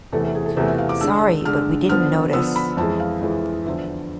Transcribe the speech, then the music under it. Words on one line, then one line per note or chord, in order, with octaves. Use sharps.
Sorry, but we didn’t notice.
E2 C3 E3 A3 A4
A4
G#4
A4
E2 C3 E3 A3 C5
E5
F5
D6
D3 G#3 D4 E6
D3 G#3 D4 F6
D3 F3 B3 F6
D3 F3 B3 E6
B5
F2 E3 G#3 A5
F5
F2 E3 G#3
E2 D3 F3 E5